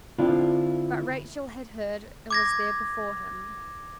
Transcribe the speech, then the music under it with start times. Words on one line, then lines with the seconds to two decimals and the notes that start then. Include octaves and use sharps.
But Rachel had heard and was there before him.
0.19 D3 C4 D4 E4 F4
2.31 D6 G#6 A#6